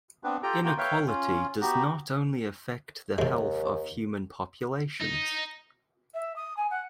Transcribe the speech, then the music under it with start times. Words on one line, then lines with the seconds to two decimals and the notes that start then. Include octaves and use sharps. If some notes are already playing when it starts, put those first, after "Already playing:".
Inequality does not only affect the health of human populations.
0.24 B3 C4 D4 B4
0.43 F4 G4 A4 G5 A#5
0.64 A#3 D#4 F4 F#4 G5
0.78 B4 C#5 E5 F5 G5
1.07 C#4 F4
1.61 B3 D#4 F#4 G4
3.18 D#2 C3 G#3
5.00 D#4
6.14 E5
6.36 D#6
6.57 G#5
6.71 F#5